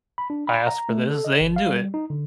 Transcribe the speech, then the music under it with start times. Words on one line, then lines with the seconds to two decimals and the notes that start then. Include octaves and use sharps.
asked for this, they didn't do it.
0.18 B5
0.30 D4
0.47 B5
0.67 A#5
0.89 A3
1.10 A4
1.24 D#5
1.41 G1
1.56 F5
1.69 G3
1.94 D#4
2.10 D3